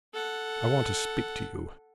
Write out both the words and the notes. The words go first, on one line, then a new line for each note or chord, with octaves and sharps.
I want to speak to you.
A4 F#5